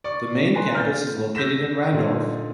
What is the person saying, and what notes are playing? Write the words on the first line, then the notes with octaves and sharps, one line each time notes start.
The main campus is located in Randolph.
D5 C#6 D6
B4 G#5 A#5 C6
F6 G6 A6
E6 G6 A#6 B6 E7
A#2 D3 D#4